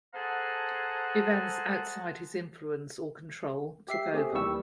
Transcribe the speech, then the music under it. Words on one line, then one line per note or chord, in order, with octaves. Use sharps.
Events outside his influence or control took over.
G#4 A4 C5 F#5 A5 A#5
G4 E5 C7
A3 C4 G4 G#4
D#2 D#3 E3 G3 C#6 E6